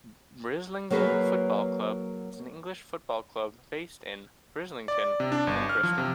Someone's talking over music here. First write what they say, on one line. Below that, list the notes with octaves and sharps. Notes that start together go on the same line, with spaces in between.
Brislington Football Club is an English football club based in Brislington, in Bristol.
F#3 A#3 F#4 G#4 B4
D5
C3
D4
G1
F6
F3
C3